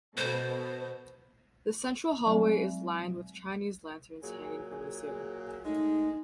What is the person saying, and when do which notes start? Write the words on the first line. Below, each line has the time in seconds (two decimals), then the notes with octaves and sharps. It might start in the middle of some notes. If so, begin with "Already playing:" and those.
The central hallway is lined with Chinese lanterns hanging from the ceiling.
0.17 B2 A4 C5
2.26 F#3 G#3 C4
4.23 A#2 F#3 G#4
5.65 G#3 A3 D#4